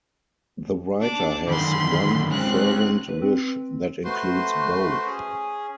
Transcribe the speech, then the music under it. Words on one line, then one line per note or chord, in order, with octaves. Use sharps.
The writer has one fervent wish that includes both.
D4 D6
F#2 D3 D#3 B5 C6
G#3 C4 C#4 F#6
B4
C4
A3 F#4 B4 C5 C6
C#4 G#4